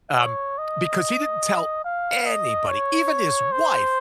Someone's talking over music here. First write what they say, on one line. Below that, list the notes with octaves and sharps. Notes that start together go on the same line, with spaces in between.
um, because he didn't tell anybody, even his wife
C#5
D#5
F5
D#5
C#5
C5